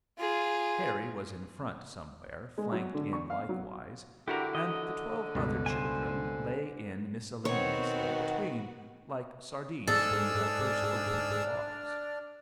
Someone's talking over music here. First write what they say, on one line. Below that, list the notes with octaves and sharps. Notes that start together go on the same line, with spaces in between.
Harry was in front somewhere flanked in likewise, and the twelve other children lay in miscellaneously between, like sardines when you have first opened the box.
F4 G#4
G#3
F#3
D3
C#6
F5
F#3
D3 E4 F#4 G4 A#4
D#5
C#2 G2 B2
C5 G#5
B2 D#3 B3 C4 F#4 C#5
G#2 D4 G#4 A4 D5 E6 F6